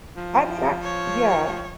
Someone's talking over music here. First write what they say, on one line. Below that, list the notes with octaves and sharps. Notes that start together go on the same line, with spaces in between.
I mean, I yeah.
F3
C#5